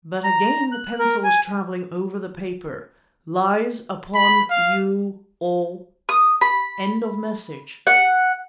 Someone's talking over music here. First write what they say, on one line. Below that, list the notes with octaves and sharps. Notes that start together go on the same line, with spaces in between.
But again the pencil was traveling over the paper:--lies upon you all... end of message.
A#5
F#6
A#4
G#5
B5
F5
D#6
B5
F#5